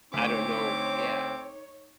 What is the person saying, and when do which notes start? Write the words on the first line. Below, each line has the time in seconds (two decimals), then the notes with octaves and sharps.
I don't know yeah.
0.13 D2 C4 D#4 C#5 D6